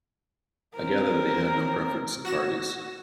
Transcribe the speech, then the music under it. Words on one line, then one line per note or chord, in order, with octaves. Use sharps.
I gathered that he had no preference in parties.
C4 A#4
F#4 A#6 E7